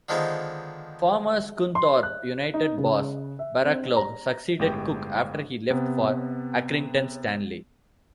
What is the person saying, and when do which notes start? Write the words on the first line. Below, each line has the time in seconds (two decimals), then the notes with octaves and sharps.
Former Scunthorpe United boss Baraclough succeeded Cook after he left for Accrington Stanley.
0.09 D3 D#3 F3 G#3 B3 D#4
1.75 C6
2.03 F#6
2.54 D#4
2.78 C#3
3.39 E5
3.63 C4
3.96 A#5
4.59 G1 A2 G#3 G4 G5
5.70 C3 B3